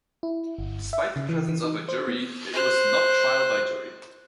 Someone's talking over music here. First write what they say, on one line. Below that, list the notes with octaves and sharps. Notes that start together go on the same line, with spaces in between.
Despite the presence of a Jury, it was not "trial by jury".
E4
G1
E5
C#3
E3
E3
D#4
C5
B3
C5 F#6